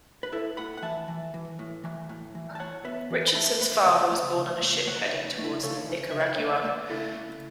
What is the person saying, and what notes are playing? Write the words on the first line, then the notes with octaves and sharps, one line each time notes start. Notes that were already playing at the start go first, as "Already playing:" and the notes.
Richardson's father was born on a ship heading towards Nicaragua.
B4
A2 E4 A4
A2 F#5 B5
F#5
E3 E5 A5
E3
E3
A2
E3
A2
E3
A5
A2 C#5 F#5
B3 B4 E5
E3
B5
A3 E5 A5
A3 F#5 B5
C#3 E5 A5
A3
C#3
A3
A3 C#5 F#5
B4 E5
C#3
A3
E4
C#3 A4 C#5
C#3
C#3 E5
C#5 F#5
A3 B4 E5
A3
C#3 E4 A4
A3